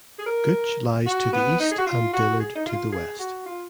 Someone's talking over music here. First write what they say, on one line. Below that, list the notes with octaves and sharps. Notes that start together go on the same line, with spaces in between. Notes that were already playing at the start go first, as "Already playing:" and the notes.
Gooch lies to the east and Dillard to the west.
G#4
A#4
F#4
B3
D#4
G#4
F#4
F4
F#4
G#4
D#4
F4
G#4
F#4
F4